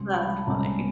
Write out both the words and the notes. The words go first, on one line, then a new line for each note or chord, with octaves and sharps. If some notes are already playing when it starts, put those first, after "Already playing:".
That's funny.
Already playing: C2 B2 G#3 C#4 C6
B5
A5
C2 B2 G#3 C#4 A#5